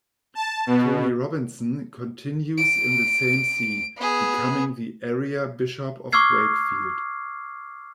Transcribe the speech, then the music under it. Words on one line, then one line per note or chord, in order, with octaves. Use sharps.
Tony Robinson continues in the same See, becoming the area Bishop of Wakefield.
A5
B2
D7
B3 G#4
C#6 D6 E6 F6 G#6 C7